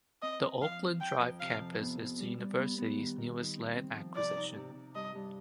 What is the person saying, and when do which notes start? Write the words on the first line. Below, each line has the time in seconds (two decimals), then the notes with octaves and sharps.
The Oakland Drive Campus is the university's newest land acquisition.
0.23 C4 D#5
0.42 C4
0.62 F3 F5
0.82 C4
1.01 F3 G5
1.21 F2
1.40 C3 F5
1.60 F2
1.80 B3
2.00 B3
2.19 G3
2.38 G3
2.59 B3
2.78 B3
2.98 D#3
3.18 D#3
3.38 D#4
3.57 C4
3.76 C4
3.97 F3
4.15 C3 D5
4.36 D#4
4.55 C3
4.74 C3
4.95 G2 D#5
5.15 G2